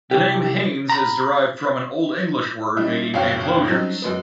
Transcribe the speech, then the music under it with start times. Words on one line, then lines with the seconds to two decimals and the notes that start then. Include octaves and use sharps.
The name 'Haynes' is derived from an Old English word meaning "enclosures".
0.11 C2 G4
0.89 A#5 B5
2.77 G3 C#4 D#4 E4
3.14 F#1 B1 B2 C#5 F5 G5
3.69 F#3 G3 C4 C#4 D#4
4.02 F#2 G#3 B3